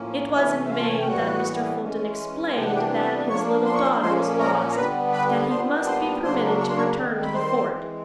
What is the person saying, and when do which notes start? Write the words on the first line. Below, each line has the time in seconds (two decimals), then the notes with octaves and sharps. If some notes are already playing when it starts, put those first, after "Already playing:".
It was in vain that Mr. Fulton explained that his little daughter was lost, that he must be permitted to return to the fort.
Already playing: A2 F3 A#3 C#4
0.34 C3 E3 A3 C#4 E4 E5
0.64 E5
0.71 F4 F5
0.80 A5
0.89 G#5
0.99 G5
1.08 A2 E3 G3 B3 F#4 F#5
1.81 E3 G#3 C#4
2.55 C3 E3 G3 B3 D4 G5
2.65 F#5
2.75 G4 G5
3.29 F3 A#3 D4 C#5 C#6
3.66 C6
3.74 C#6
3.83 C5 C6
4.02 A#2 F3 A#3 C#4 C5 C6
4.39 A#4 A#5
4.71 A#5
4.76 D3 G3 B3 B4 B5
5.13 B4 B5
5.50 A#2 G3 B3 D4 C5 C6
5.87 C5 C6
6.23 C#3 F#3 A#3 D4 C5 C6
6.61 C#6
6.69 C6
6.77 C#5 C#6
6.97 D#3 G3 C4
7.22 B5
7.34 C5 C6
7.71 E3 G#3 C4